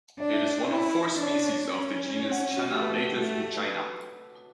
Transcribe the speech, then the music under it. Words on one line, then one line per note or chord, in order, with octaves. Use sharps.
It is one of four species of the genus "Channa" native to China.
D4 D5
E5
D5
D5
E4 C#5
D4 C#5
D5
C#5
C#4
C#5
F#5
F#4
A3 G4
B4
A4
G4
A3 F#4
G4
A4
B4